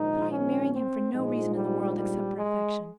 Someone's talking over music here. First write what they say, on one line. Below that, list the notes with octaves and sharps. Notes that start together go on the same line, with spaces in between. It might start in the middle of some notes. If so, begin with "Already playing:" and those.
But I am marrying him for no reason in the world except affection.
Already playing: A#1 G#2 D#3 D#4
C#4
C4
A#1 G#2 F3 G#3
G3
G3
G#3